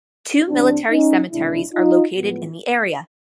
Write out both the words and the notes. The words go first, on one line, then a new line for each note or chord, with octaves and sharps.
Two military cemeteries are located in the area.
G2 E3 G3 C4 D4
C#4 D#4
C#2 C3 D#3 G#3 D4 E4
D#4 F4
A2 F3 G#3 B3